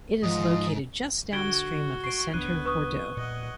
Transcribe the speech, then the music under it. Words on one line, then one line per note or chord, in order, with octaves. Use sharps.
It is located just downstream of the centre of Bordeaux.
G#2 F3 D#5
D3 F#4 G#6 D7 G7
C#6 C7 D7
C#2 B3 D4 F#6 D#7
B4 C#6 D#6
A#2 D#5 F#5